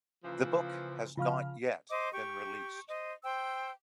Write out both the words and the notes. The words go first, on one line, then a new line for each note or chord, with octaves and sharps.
The book has not yet been released.
A#2 C#3 E3 F3
C#3 F3 F4 F5 C#6 F6
C5 D#5 D6
G4 C#6
C5 D#5
C5 G5 E6